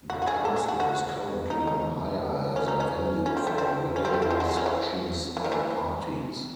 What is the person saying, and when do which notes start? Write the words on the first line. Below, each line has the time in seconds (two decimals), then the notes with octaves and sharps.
The castle is currently on hire as a venue for wedding receptions and parties.
0.10 F#4
0.22 F#4
0.27 G#4
0.45 A4
0.56 G#4
0.68 F#4
0.80 F#4
1.50 D#4
1.67 D#4
2.56 C#4
2.68 D#4
2.80 C#4
3.26 C#4
3.37 C4
3.47 A3
3.58 C4
3.96 C#4
4.05 C4
4.14 A3
4.22 C4
4.30 G#3
4.40 F#3
4.49 G#3
4.57 C#4
4.66 E3
5.37 E3
5.44 D#3
5.52 E3